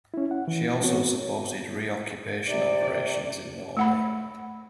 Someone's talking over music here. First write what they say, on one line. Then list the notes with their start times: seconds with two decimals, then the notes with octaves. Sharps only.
She also supported re-occupation operations in Norway.
0.14 C#4 E4
0.31 F#5
0.48 E3
0.81 B3 C4 F#4 C#5
2.48 C3 D5
3.77 A3 F#5 B5